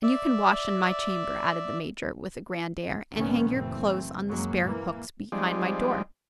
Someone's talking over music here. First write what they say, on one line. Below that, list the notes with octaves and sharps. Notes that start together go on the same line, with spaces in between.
"And you can wash in my chamber," added the Major, with a grand air, "and hang your clothes on the spare hooks behind my door."
D5 E5
C#2 A#2 D#3 F3 B3 C#4
F#1 E3 A3 C4
F#2 C#3 F#3 G#3 A#3
E3 A#3
F3 G3 G#3 C4 D#4 D5